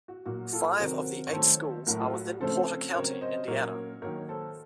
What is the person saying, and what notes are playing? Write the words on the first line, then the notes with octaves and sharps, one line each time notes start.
Five of the eight schools are within Porter County, Indiana.
F#4
A#2 F#3 A#3 F#4
F4 A4
C3 D#3 F#3 C4 F#4 A#4
C#5
D#3 F#3 A3 A4 C5
A2 F#3 A3 F#4 A#4
F4 A4
F#4
F#4
C#3 F3 A3 C4 A4 C5
C#3 F#3 C4 A#4 C#5
C5 D#5
A#2 F#3 A#3 C#4 A#4 C#5
D#3 F#3 A#3 A#4 C#5
A4 C5